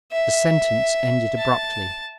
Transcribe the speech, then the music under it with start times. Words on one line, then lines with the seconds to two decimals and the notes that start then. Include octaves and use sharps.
The sentence ended abruptly.
0.12 E5
1.38 A5